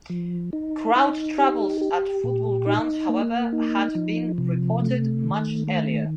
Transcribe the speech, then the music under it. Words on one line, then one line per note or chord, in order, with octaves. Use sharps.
Crowd troubles at football grounds however had been reported much earlier.
F3
D#4
D#4
G4
G4
A#2
D#4
A#3
D#4
F3
C3
A3
D#3
A3